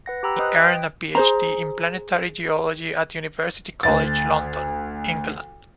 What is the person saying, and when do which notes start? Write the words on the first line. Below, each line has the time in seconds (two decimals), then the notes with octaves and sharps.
He earned a Ph.D. in planetary geology at University College London, England.
0.06 B4 F#5 A#6
0.23 G4 G5 A#5 B5 E6
0.37 B4 C5 D#5 D#6 F#6
0.64 G5
1.15 G#4 C5 A#5
3.83 D2 A6